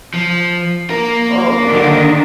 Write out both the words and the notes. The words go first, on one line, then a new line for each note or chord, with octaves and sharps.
Oh, yeah.
F3
A#3 A#4
D3 D#3 D4